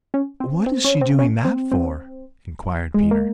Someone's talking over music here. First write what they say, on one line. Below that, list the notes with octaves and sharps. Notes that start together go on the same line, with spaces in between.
"What is she doing that for?" inquired Peter.
C#4
C4
C4
C#4
C4
C#4
C4
C4
G#3
A#3